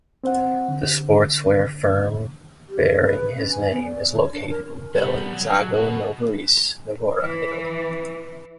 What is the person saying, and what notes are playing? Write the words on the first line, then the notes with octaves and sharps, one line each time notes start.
The sportswear firm bearing his name is located in Bellinzago Novarese, Novara, Italy.
C4 C5 F#5
D3
G4
G#4
B4
C#4
G#5
B3
D5
C#5
D4
A#4
G3 B3
F#3
F#3
B2 F#4
E3